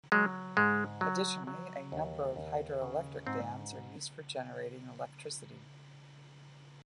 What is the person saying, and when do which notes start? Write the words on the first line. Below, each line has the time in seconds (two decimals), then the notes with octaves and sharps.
Additionally, a number of hydroelectric dams are used for generating electricity.
0.12 F#3 G#3
0.57 G#2 G#3
1.01 F#3
1.47 F#3
1.92 D#2
2.36 D#2
2.82 C#3
3.27 G#2 C4